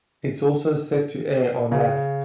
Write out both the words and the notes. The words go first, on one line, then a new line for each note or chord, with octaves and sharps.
It's also set to air on Laff.
C#3